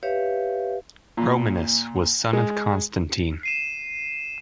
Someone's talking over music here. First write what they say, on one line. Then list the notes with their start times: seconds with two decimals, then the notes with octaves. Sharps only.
Romanus was son of Constantine.
0.03 G4 B4 C#5 E5 F5
1.17 A#2
2.33 G#3
3.43 C7 D#7 E7